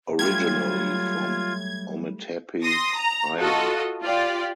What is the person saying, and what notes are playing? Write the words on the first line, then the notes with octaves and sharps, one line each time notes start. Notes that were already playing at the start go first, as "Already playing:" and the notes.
Originally from Ometepe Island.
F#3 G3 A3 F4 G4 G#6
C6 D#6 A#6
A#5
F4 F#4 A4 D#5
F4 G4 D5